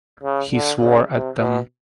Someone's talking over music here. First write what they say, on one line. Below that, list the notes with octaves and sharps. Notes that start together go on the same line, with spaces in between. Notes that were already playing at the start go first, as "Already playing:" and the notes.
He swore at them.
C#3
D3
C#3
C3
B2